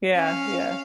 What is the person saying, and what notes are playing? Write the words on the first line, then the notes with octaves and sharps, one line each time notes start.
Yeah, yeah.
C#4 F5